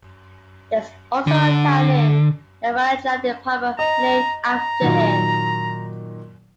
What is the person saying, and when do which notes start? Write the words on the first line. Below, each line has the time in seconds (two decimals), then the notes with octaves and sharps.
There is also a town in Lavalleja Department named after him.
1.27 D3
3.79 D#5 A#5
4.49 A#5
4.82 A#2 D#3 F#3